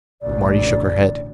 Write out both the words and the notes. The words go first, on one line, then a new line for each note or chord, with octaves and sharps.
Marty shook her head.
A1 D2 B2 D5